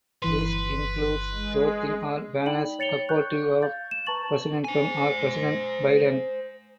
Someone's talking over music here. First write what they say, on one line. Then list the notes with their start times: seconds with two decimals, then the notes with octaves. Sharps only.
This includes clothing or banners supportive of President Trump or President Biden.
0.22 G1 E3 B4 C6
1.34 G#3
2.46 D#4 D5 G5 B5 F#7
2.79 C#5 A6 C#7 F7 G7
3.09 C#6 F#6 G6
3.62 F5 G6 A6
3.91 E7
4.07 B4 A5 A#5 C#6 A6 F#7
4.64 C5 G#5